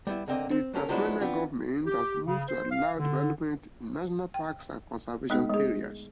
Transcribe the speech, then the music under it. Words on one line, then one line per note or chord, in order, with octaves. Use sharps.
The Tasmanian Government has moved to allow development in national parks and conservations areas.
G3 B3 E4
C#2 D3 A#3 C4 D5 D#5
C4
F#3 A3 C#4 A4 A#4
F3 F#3 G#3 B3 D4 E4
B3 C4 D4 F4
G4
C#3
C5
F5
D3
G5
G#3 A3 B3 D#4 A4
G#3 G#4